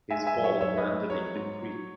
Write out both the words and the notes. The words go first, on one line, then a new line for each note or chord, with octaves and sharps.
His ball landed in the creek.
G#3 E5 G#5
E5 G#5
F#2
C#5 E5
F#2 C#5 E5
B4 D#5
G#3
F#3 C#5
G#2
F#3